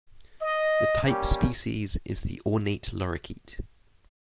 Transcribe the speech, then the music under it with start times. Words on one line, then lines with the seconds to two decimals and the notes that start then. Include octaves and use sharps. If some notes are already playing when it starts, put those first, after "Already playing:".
The type species is the ornate lorikeet.
0.42 D#5
1.05 G3 A#3 C#4 G4